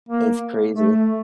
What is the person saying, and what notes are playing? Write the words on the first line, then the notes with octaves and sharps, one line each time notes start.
It's crazy.
A#3
A3